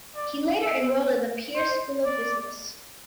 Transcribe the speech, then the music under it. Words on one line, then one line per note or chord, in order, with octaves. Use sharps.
He later enrolled at the Peirce School of Business.
D5
E5
C5
D5